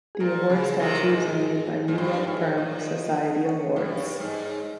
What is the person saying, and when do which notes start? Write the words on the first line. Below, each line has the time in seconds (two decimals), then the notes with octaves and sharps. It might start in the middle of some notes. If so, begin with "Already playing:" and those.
The award statues are made by New York firm, Society Awards.
0.15 G#4
0.20 A#2 A#4
0.49 C#3 G#4
0.79 C3 D#3 A#4
1.03 A#2
1.09 G#2
1.88 G#2
1.97 G2 C5
2.27 G#2 C#5
2.57 A#2 D#5
2.87 D#5
3.16 D#5
3.45 C#5
3.76 G2
4.20 G#2